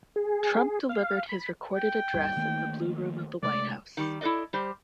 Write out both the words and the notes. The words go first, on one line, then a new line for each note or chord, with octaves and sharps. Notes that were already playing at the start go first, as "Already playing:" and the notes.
Trump delivered his recorded address in the Blue Room of the White House.
G#4
F5
B5
G5
G#1 D#2 G3
D#3 A3 A#3
C3 G#3 A3 D5
D#3 G3
E4 A4 B4 D5 D#5
G3 G4 C5